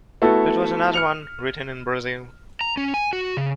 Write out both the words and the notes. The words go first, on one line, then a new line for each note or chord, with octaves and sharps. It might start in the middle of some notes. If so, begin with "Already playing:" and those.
That was another one written in Brazil.
A3 B3 E4 F#4 A4
F6 C#7 F7
A#5
C#4
G#5
F#4
C#3